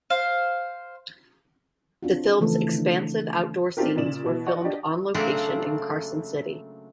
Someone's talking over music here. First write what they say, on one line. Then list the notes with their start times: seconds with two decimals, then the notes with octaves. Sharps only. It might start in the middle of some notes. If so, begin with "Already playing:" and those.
The film's expansive outdoor scenes were filmed on location in Carson City.
0.10 C5 F5
2.03 C4 D4 F4 F#4
2.40 C#3 E3 F3 A3 A4
2.74 D#3 D4
3.77 A3 C4 D4 F4 G4 A#4
3.96 A#2 C#3 D5 E7 F#7
4.26 B2 E3
4.46 D5 D#5 F#5 C#6
4.64 D4 G4 D5 D#5
5.14 C#3 F#3 A3 A#3 C4 D4